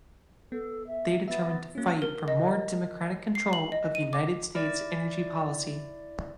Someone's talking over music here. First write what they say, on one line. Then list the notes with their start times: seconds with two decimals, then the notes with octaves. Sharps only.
They determined to fight for more democratic control of United States energy policy.
0.52 B3 A4
0.87 E5
1.28 B3 E5 A6
1.75 A#3 C#4 F#4
2.02 A#4
2.28 D#5
3.35 C7
3.53 F#7
3.72 D#5
3.95 D#7
4.13 D6
4.55 E4 D5